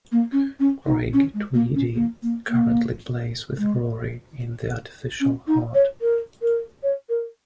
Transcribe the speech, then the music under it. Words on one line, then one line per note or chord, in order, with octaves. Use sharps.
Craig Tweedy currently plays with Rory in The Artificial Heart.
A#3
C#4
C#4
D#4
C#4
G#3
A#3
C#4
A#3
A#3
A#3
G#3
C#4
D#4
C#5
A#4
A#4
C#5
A#4